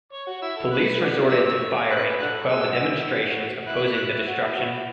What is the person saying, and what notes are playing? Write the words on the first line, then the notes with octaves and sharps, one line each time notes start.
Police resorted to firing to quell the demonstrations opposing the destruction.
C#5
F#4
E4 E6
A4
B4 F#6
F#4 B4 D5
D5 E6
C#5
C#5
B4 F#6
D4 F#4 A4 F#6
G#4 E6
F#4
E4
F#4
E4 F#6
F#4
E4
F#4
E4